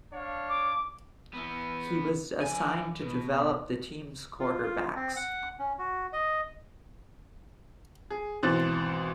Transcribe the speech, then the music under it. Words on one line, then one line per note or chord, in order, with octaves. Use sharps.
He was assigned to develop the team's quarterbacks.
D4 C#5 F5
D6
E3 B3
F3 G#5
B2
F4
F4
C4
F#5
C#4
F#4
D#5
G#4
G#1 B2 E3 C5 F#6 A6